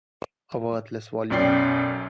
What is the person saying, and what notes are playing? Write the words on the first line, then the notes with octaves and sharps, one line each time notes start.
A worthless volume!
B1 F#2 C#4 D5 G5 C7